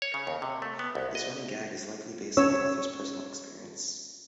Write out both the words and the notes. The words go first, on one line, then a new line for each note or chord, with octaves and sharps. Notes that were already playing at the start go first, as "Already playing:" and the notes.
This running gag is likely based on the author's personal experience.
C#5
C#3
D#2
C3
A3
B3
C2
D#5
C#4 C#5 E6